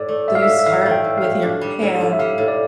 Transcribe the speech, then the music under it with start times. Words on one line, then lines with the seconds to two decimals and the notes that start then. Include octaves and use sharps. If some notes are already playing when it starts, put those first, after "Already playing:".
So you start with your pan,
Already playing: A2 D5
0.09 A3
0.28 A2 E5
0.35 F5
0.42 E5
0.47 A2
0.59 E5
0.66 E3 F5
0.86 A3
0.91 G5
1.04 A2
1.18 F5
1.24 A2
1.42 D4
1.61 G3
1.81 A2
2.00 A2
2.13 E5
2.19 G3 F5
2.38 A2
2.48 D5